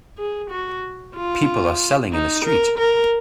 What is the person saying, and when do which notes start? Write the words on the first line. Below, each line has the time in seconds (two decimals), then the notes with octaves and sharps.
People are selling in the street.
0.18 G#4
0.51 F#4
1.16 F4
2.13 D#4
2.45 A#4
2.78 A#4